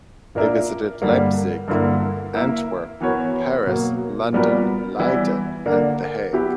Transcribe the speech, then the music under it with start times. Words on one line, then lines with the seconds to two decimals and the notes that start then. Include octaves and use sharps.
They visited Leipzig, Antwerp, Paris, London, Leiden and The Hague.
0.35 A#2 A#3 D4 A#4 E5
1.02 G2 D3 G3 A#3
1.68 G2 D3 A#3 E4
2.34 A#3 E4 A#4 E5
3.01 E3 B3 F#4 A#4 C#5
3.67 B2 F#3 A#3
4.33 A#2 G3 B3 F#4 A#4
4.99 E3 G3 B3 E4
5.66 D3 A#3 D4 A#4
6.32 F#3 B3 E4 G4